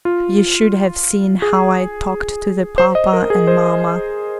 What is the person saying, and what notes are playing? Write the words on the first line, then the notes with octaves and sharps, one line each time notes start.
You should have seen how I talked to the papa and mamma.
F4
G#4
C5
D#5
A#4
G#4
C5